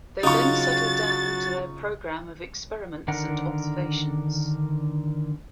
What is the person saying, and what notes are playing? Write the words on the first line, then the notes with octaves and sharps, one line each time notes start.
They then settled down to their program of experiments and observations.
C#3 F#3 D#4 F4 F#4 C#6 A6
D3 D#3 D4 A#4 F#5